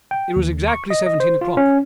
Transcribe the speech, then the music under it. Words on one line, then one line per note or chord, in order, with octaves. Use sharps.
It was exactly seventeen o'clock.
G5
D#2
C#6
D#5
D#5
C5
F4
C#4